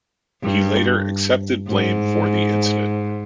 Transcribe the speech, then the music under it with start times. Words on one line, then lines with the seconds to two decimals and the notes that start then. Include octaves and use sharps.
He later accepted blame for the incident.
0.43 G2
1.68 G#2